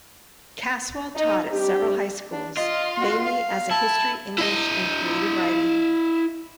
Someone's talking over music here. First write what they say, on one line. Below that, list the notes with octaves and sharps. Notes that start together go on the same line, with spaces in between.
Caswell taught at several high schools, mainly as a history, English and creative writing.
D#4
G3 C4 D4 G4
D4
F4 D#5
F#4
F5
E4 A5
E4 D#5